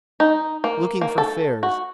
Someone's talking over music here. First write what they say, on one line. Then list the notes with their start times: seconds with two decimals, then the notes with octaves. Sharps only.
Looking for fares.
0.20 D#4
0.64 A#3
1.01 A#3
1.18 A4
1.63 F#4